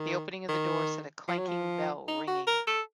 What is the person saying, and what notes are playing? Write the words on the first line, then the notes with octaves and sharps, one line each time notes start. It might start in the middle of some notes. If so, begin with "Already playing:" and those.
The opening of the door set a clanking bell ringing.
Already playing: D#3
D#3
F3
F#3
F3
D#4
F#4
A#4
A4